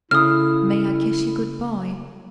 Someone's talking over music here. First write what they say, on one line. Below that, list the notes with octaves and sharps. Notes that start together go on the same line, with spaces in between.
"May I kiss you good-by?"
C#3 A3 E4 D#6 F6